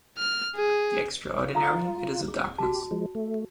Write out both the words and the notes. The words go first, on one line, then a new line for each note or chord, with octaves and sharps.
The extraordinary, it is a darkness.
F6
G#4
F4 F5 A#5 D#6
G#4
F#4 G4 A5
F3 G#3
A3